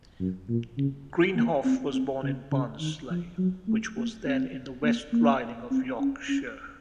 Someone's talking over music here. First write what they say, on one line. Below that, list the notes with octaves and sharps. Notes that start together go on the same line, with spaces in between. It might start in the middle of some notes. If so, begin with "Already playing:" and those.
Greenhoff was born in Barnsley, which was then in the West Riding of Yorkshire.
F#2
A#2
C#3
A#3
C4
C4
C#3
C#3
D#3
F3
F#3
A3
A#3
C4
A#3
A#3
C4
C#4
C#4